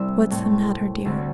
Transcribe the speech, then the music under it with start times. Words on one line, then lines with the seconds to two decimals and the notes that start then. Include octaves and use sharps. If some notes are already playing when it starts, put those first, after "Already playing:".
"What is the matter, dear?"
Already playing: C2 C3 G3 C4 D5 E5 E6
0.31 A2 A3 C4
1.05 D2 D3 G3 C4